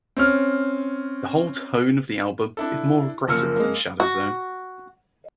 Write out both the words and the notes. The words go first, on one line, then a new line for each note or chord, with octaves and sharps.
The whole tone of the album is more aggressive than "Shadow Zone".
C4 C#4 F6
D4 E4 A4
F#1 F3 A#3 E6 F6 C#7
G#3 A#3
F#4